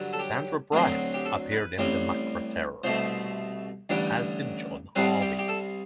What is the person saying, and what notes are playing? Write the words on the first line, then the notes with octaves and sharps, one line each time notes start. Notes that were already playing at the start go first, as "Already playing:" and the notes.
Sandra Bryant appeared in "The Macra Terror", as did John Harvey.
Already playing: G2 D3 F#3
A4
G4
D2 D3 F#3 C4
G4
A4
B4
A1 A2 G3 C4
C2 B2 A3 C5
A1 G2 D3 G3
C2 C3 G3 C4 B4
G4
G4
A4